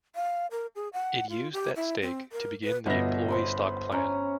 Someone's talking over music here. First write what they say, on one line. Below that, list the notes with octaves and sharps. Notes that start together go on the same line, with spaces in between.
It used that stake to begin the employee stock plan.
F5
A#4
G#4
F#5
F4
G4
E4
C4
A#4
B4
G1 B2 B3 E5 A#6
B4 C5 B5
C#4 A#5